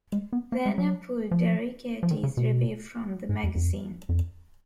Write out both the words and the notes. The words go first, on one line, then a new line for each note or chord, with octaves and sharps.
Wenner pulled DeRogatis' review from the magazine.
G#3
B3
A#3
G#3
F#3
F3
F3
D#3
C#3
B2
G#2
F2
F2
F2